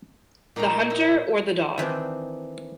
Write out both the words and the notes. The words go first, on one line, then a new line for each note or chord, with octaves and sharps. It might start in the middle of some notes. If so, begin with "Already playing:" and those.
The hunter or the dog?
A#2 D#4 C#5 G5 A#5
D#4 E4
D#3 E3 C4 D4